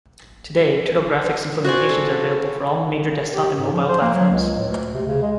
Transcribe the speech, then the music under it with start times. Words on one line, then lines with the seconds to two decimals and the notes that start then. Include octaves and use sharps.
Today, Turtle graphics implementations are available for all major desktop and mobile platforms.
1.64 F#4 C5 D5 G#5
1.89 A4
3.31 G4
3.58 G#2
3.72 F3
3.89 C5
4.02 A#3
4.15 F#3
4.31 C#2
4.56 A2
4.68 D2
4.94 C3
5.07 C#3
5.22 G#3